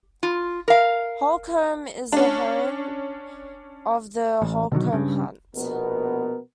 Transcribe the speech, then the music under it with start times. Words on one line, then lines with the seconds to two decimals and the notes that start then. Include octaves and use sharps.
Holcombe is the home of the Holcombe Hunt.
0.23 F4
0.68 A#4 F5
2.12 C#4 D4
4.42 A1
4.72 B2 D3 D#3 F#3
4.92 G2 C#3
5.55 A#1 B2 B3 A#4